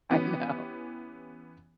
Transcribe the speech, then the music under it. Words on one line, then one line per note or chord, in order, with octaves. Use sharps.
I know.
E3 B3 C#4 G4